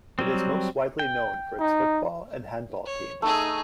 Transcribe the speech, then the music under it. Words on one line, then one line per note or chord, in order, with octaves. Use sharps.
It is most widely known for its football and handball teams.
F#3 G3 C4
G5
D#4
C#5
A3 D#4 G#4 E6